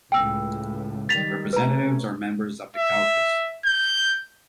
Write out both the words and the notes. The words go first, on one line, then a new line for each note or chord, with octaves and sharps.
Representatives are members of the caucus.
C#2 A2 G5 E6
D#3 G3 A6 B6 F7
C3 A3 C#4 B4 A#5
E5
G6